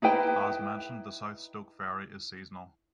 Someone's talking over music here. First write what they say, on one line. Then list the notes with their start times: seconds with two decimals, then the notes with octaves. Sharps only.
As mentioned the South Stoke ferry is seasonal.
0.02 D#4 E4 B4 G5